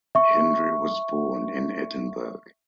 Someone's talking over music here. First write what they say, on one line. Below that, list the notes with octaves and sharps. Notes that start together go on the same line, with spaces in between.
Hendry was born in Edinburgh.
E5 C#6